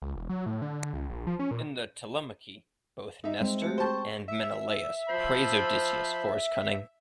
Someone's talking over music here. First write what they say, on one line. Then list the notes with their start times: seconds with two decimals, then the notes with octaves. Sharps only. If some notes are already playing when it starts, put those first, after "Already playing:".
In the "Telemachy" both Nestor and Menelaus praise Odysseus for his cunning.
0.02 C#2
0.16 E1
0.30 F#3
0.46 A2
0.62 D3
0.94 C#2
1.09 A#1
1.27 F3
1.39 C#4
1.51 A#2
3.24 D#4 E5
3.41 G#3 C4
3.62 A3 F#4 G4
3.78 C5 G5 A5 C#6
4.28 E5
5.10 F3 C5 B5